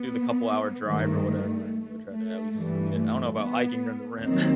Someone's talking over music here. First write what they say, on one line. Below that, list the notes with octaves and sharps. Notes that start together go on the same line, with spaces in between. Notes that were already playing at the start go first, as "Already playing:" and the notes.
do the couple hour drive or whatever and go try to at least see it. I don't know about hiking around the rim.
Already playing: B3
G2 D#3 A3
A3
A3
G2 E3 G3
A3
B3
D#2 D#3 F#3 C4